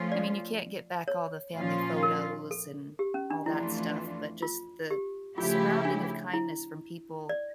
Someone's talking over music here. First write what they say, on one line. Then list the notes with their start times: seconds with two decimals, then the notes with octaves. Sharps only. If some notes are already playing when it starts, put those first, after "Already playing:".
I mean, you can't get back all the family photos and all that stuff, but just the surrounding of kindness from people
Already playing: F3 A3 C#4 F4
0.12 D5
1.08 C#5
1.55 A#2 F3 C#4 F4
2.03 A#4
2.51 A4
2.99 G4
3.14 C#4
3.30 D4
3.46 F2 E3 A3 D4 E4 F4
4.42 F4
4.91 G4
5.38 C#3 F3 A3 E4 F4 G4
5.85 D4
6.33 E4
7.29 D5